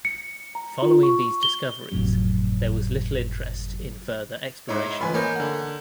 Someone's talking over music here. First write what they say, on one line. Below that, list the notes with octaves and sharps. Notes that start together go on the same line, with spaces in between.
Following these discoveries there was little interest in further exploration.
C#7
A#5
F4
C#6
G7
G1 F2 A2 C3 F#3
G#2 D#4 E4 C#5
A1 G#2 F4 B4 G#5 B5
A#3 A#4 C#5 D#5 G#5 G6
D3 F#5